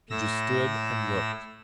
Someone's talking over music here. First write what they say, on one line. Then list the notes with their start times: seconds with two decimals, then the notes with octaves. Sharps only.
She just stood and looked.
0.10 A2 E6 A#6